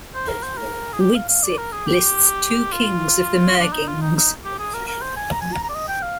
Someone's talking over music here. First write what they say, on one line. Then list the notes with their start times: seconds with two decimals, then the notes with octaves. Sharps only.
Widsith lists two kings of the Myrgings.
0.14 C5
0.29 A#4
0.43 C5
0.57 A#4
0.93 G#4
1.00 G4
1.15 F5
1.29 F5
1.43 D5
1.58 A#4
1.72 G#4
1.86 G4
2.72 F4
3.59 D4
3.73 D#4
3.87 F4
4.02 D#4
4.17 D#4
4.45 G4
4.59 G#4
4.74 A#4
4.88 A#4
5.02 C5
5.17 G#5
5.31 A#5
5.41 G#5
5.53 A#5
5.63 A#5
5.69 D5
5.75 D#5
5.88 G5
6.02 F5